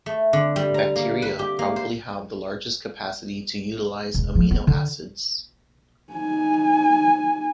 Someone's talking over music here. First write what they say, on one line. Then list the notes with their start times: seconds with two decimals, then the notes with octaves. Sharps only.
Bacteria probably have the largest capacity to utilize amino acids.
0.06 A3
0.33 D3
0.56 G3
0.74 A#5
0.96 A#3
1.22 B4
1.39 G4
1.59 A#3
1.76 C5
4.14 E1
4.35 F3
4.51 B3
4.67 D3
6.12 D#4 G#5